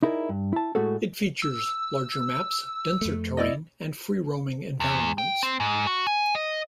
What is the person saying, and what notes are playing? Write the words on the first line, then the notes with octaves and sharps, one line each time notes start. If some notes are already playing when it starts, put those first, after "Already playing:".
It features larger maps, denser terrain, and free-roaming environments.
D#4 E4 G#4 A#4 D5
G2
E4 A5
A2 G#3 A3 F#4 G#4 A4
E6
F2 A3
E4 D5 D#5
E2
G5
C4
G#2
F#4
G#5
D#5